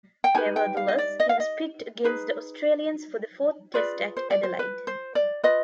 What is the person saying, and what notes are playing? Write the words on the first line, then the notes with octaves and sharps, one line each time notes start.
Nevertheless, he was picked against the Australians for the fourth Test at Adelaide.
G5
D#4 G4 B4 G#5
G5
F5
D#5
D5
D#5
F5
D#5
D#4 G#4 B4
F4 G#4 B4 D5
C5
D5
C5
B4
C5
D5
F4 B4 D#5